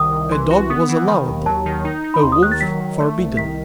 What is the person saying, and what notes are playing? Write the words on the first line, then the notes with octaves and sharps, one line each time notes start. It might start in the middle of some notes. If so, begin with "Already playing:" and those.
A dog was allowable; a wolf forbidden.
Already playing: C2 D#3 D#6
C2
E3 C6
F#4
B3 D#6
E3
D#3 B5
D#2
F#3 A5
D#3
D#4
D#4
B5
D#2 C6
D#6
D#3 F#6
A6
F#3 B6
D#3
A3
C2
D#3 B6